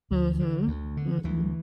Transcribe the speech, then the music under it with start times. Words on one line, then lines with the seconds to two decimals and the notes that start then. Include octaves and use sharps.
Mhm. Mhm.
0.11 D2
0.40 D3
0.68 D2
0.97 D3
1.24 D2 E3